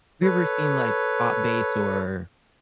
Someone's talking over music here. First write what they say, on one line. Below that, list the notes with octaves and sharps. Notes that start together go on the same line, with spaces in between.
have you ever seen, like, Pop Bass or
A4 B4 C#5